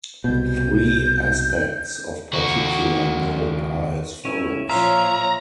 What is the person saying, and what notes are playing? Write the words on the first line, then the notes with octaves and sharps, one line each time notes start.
Three aspects of particular note are as follows.
C2 B2 G6
D#2 F#4
C#4 E4
A#2 F3 C#5 E5 F5 A#5 C6